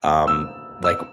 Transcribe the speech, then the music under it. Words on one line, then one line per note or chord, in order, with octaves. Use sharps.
um, like,
E6
E6